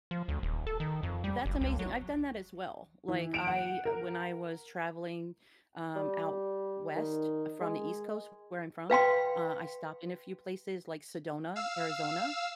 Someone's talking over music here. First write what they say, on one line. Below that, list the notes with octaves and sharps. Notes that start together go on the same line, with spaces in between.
That's amazing, I've done that as well, like, I, uh when I was traveling, um, out west from the East Coast where I'm from, uh, I stopped in a few places like Sedona, Arizona.
F3
D2
D#1
A4
D#3
F2
G3
F#1
C#2
F#3
E3
G6 D7 E7 F7
F#5
A#4
G3
D#3
G#3
B4 F5 G5 C6
F5 E6